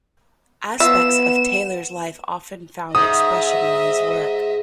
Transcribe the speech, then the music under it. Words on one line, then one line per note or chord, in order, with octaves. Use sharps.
Aspects of Taylor's life often found expression in his work.
F3 B3 E5 E7
G#2 D#5 E5 D#6